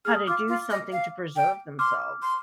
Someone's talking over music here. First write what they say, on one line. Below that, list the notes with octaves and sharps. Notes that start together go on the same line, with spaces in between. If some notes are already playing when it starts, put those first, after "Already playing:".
how to do something to preserve themselves.
G#4 F6
D#6
F4 D6 F6
F4
D#5
F5
G5
C6 D6 F6
C6